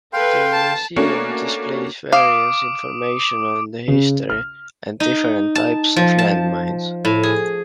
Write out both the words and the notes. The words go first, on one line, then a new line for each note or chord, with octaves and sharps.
The museum displays various information on the history and different types of land mines.
A4 B4 F5 G5 C6
A5
A3 A#3 C#4 D4 F#4
F5 D6 D#6 D7
C#3
F6
D#4
A5
F3
A5
A2
G#4